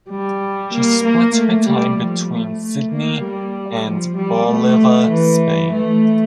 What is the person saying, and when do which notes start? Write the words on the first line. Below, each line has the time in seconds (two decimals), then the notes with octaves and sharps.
She splits her time between Sydney and Oliva, Spain.
0.10 G3
0.73 A#3
1.04 A#3
1.35 A3
1.67 G3
1.98 F3
2.29 A3
2.60 A3
2.91 A#3
3.23 G3
3.86 F3
4.17 G3
4.47 A3
5.10 E3
5.73 A3